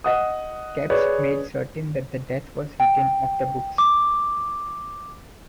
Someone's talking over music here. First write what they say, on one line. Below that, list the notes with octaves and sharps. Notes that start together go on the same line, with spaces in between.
Kappes made certain that the death was retained 'off the books'.
D#5 F#5 D#6
G#4 B4 C#5 D5
G5
D6